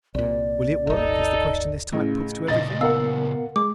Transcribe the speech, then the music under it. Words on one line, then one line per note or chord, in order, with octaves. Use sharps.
"Will it work?" is the question this type puts to everything.
C2 A#2 D5
D#1 G#1 D#4 A4
A1 C#3
A#2 C#3 D#5 A6
B3 A#4 F5 F#5 E6
G#3 D6